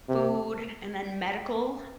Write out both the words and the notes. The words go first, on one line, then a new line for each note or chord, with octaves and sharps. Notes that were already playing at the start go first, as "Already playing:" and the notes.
food, and then medical,
C3